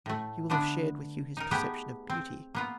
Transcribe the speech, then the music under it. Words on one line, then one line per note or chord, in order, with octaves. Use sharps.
He will have shared with you his perception of beauty.
A2 A3
D3 A3 B3 D4
D#4 A#4
A3 B3 G4 G#4
C4
A#3 B3 F4